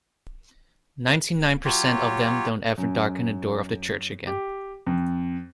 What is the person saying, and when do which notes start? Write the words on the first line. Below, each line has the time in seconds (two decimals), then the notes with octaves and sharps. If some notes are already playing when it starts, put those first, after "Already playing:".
Ninety-nine percent of them don't ever darken the door of the church again.
1.65 F#3 F4 G4 C#5
2.78 F#2
4.27 G4
4.87 F2